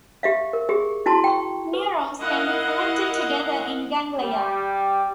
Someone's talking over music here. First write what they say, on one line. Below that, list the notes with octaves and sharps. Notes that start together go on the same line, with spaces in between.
Neurons can be connected together in ganglia.
G4 E5 F5
A#4
G4 G#4
E4 F#4 A5 A#5 C6
G5 C#6
B4
E4 A#4 D#5 F5 F#5
G3